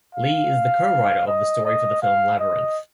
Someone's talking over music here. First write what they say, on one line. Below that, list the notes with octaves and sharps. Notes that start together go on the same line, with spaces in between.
Lee is co-writer of the story for the film "Labyrinth".
F5
D#5
D#5
F5
D#5